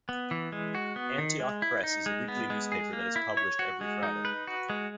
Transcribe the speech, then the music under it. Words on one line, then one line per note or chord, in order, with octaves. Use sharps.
Antioch Press is a weekly newspaper that is published every Friday.
B3
E3
G#3
F#4
B3
D#3
G#3
E4
D#4
G#3
B3
G#3
G#4
A#3
E4
C#5
F#4
G#3
D#4
B4
F#4
G#3